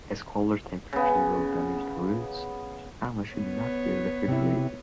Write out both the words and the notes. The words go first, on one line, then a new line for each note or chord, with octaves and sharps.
As colder temperatures will damage the roots, jicama should not be refrigerated.
C#3 B3
B3 B4 C#5
C3 E4